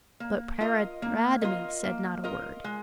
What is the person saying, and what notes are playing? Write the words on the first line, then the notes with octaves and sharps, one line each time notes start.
But Paridamie said not a word.
A#3
F4 A#4 D#5
A#3
F4 A#4 D#5
A#3
F4 A#4 D#5
G#3